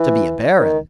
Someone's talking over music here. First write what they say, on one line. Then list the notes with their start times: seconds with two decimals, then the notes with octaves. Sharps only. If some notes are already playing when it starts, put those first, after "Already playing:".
"To be a baron."
Already playing: E3
0.60 D#3